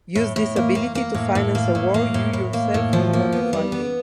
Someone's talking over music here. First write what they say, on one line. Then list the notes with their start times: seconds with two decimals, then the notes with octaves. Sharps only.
Use this ability to finance a war you yourself don't want to fight in.
0.15 A2
0.36 A2
0.56 A#3
0.75 A#3
0.95 A#3
1.15 A2
1.35 A2
1.55 A#3
1.75 A2
1.94 A#3
2.14 A2
2.33 A2
2.53 A#3
2.74 A2
2.93 F3
3.13 A#3
3.33 B3
3.53 G3
3.72 B3